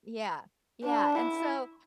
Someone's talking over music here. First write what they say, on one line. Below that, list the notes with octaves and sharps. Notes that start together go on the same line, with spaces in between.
yeah, yeah, and so
D4
E4